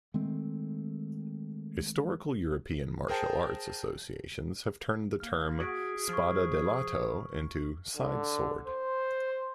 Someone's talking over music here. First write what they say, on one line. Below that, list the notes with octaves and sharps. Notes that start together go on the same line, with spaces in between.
Historical European Martial Arts associations have turned the term "spada da lato" into "side-sword".
D#3 G#3 A3 C4
G#4 A#4 C5 G5 A5
A#3 F6
F#4 G#4 G#6 B6 D7
F3 C#6 F6
D3
C5